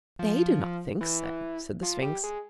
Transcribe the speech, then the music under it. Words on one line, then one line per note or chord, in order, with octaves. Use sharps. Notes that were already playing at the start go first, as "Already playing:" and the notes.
"They do not think so," said the Sphinx.
F3
E3
F3
G3
G#3